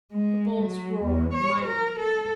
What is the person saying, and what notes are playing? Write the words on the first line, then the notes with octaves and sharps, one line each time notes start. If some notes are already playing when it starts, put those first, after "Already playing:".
The bulls roared mightily.
G#3
F#3
E2
C#5
A#4
A4